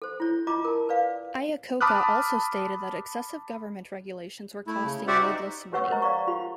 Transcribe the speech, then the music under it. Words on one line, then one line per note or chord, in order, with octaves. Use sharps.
Iacocca also stated that excessive government regulations were costing needless money.
A4 C5
E4 C#5
F4 D#5 A#5 D6
A#4 A5
B4 D5 F5
A5 B5 D6 D#6 F6 F#6
A3 E4
C#3
F#4 G4 C5 D5 E5 F#5
D#4
G4 B4 C#5 F#5 C#6 E6
A#4 C5 D#5 A#5
D5 F5 A#5 C#6
F4 G4 B5